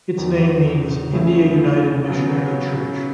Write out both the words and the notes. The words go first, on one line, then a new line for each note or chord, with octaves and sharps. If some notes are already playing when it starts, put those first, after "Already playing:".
Its name means "India United Missionary Church".
E2 D#3 F#3
C#3 F#3 A3 E4 G#4
C#3 F#3 B3